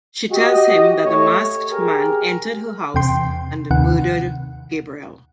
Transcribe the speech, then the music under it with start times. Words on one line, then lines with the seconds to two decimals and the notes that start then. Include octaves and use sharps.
She tells him that the masked man entered her house and murdered Gabriel.
0.32 F#4 G4 D#5
1.06 A3 C#5
1.70 G4 G#4 A#4
2.94 E2 C3 G5 C6
3.71 D#2 C3 D#3 F#5